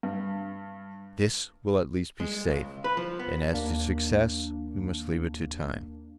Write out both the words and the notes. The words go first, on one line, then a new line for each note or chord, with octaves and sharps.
This will at least be safe; and as to success,-we must leave it to time.
G2
G#3
C#2
B4
F3
B3
D#2 A#3 D4